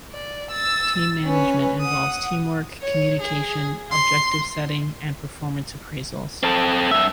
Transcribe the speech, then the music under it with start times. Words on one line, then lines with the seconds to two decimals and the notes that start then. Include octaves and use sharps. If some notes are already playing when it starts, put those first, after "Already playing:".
Team management involves teamwork, communication, objective setting and performance appraisals.
0.12 D5
0.51 E6 A6
1.25 C#4 B4
1.81 F#5 D#6
2.82 C#5
3.20 G#4
3.91 C6
6.43 C4 A4
6.91 G2 E5